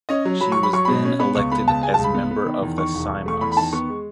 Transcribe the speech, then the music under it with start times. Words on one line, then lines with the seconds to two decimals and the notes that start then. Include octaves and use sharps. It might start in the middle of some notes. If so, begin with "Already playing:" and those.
She was then elected as Member of the Seimas.
0.09 C#4 D#5
0.25 F#3
0.41 F#3 B5
0.52 F#3 C#6
0.63 B5
0.73 F#3 C#6
0.85 B2 B5
1.05 C#4
1.20 B3 B5
1.35 C#2 C#6
1.51 B3 B5
1.67 C#2 A5
1.83 G#3 G#5
1.94 A5
1.99 C#2
2.04 B5
2.14 B3
2.31 B3
2.46 D#3
2.62 E2
2.78 D#3 C#6
2.94 E1
3.09 E1
3.26 A3 C#6
3.41 E2 B5
3.52 B5
3.57 D#3 A5
3.73 B3 C#6
3.89 G#3